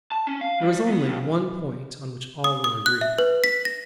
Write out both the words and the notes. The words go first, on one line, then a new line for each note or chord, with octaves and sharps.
There was only one point on which all were agreed.
A5
C#4
F5
G3
B3
C#2
D#6
D#6
F#6
E5
B4
B6
A#6